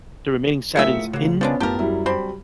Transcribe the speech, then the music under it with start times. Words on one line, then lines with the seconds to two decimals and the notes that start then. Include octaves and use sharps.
the remaining Saturdays in
0.76 A2 F4 G#4 A#4 E5 C#7
1.13 C#3 F#3 A#3
1.41 F3 G#3 B3 C#4 D4
1.60 F#2 A2 B3 F4 G4 A#4 A5
1.79 F#3 G3 E4
2.06 C4 D4 B5